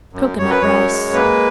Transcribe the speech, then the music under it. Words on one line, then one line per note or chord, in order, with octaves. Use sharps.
Cocoanut Rice.
F#2
F#2 C#5
B4
F#2 C#5
G#3
A#3 B4